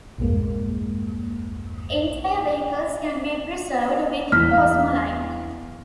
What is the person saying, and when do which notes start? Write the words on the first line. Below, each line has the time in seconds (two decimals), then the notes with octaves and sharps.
Entire vehicles can be preserved with cosmoline.
0.18 A#1 E2 G2 G#3 A#3
4.32 E2 F6 B6
4.51 F5